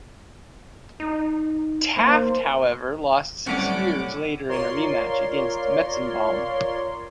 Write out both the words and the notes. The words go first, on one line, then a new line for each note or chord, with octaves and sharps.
Taft, however, lost six years later in a rematch against Metzenbaum.
D#4
D#3 A#3 C5
A2 F#3 G3 C4 C#4 D5 F#5 D6
F4 A#4 C#5 D5 C6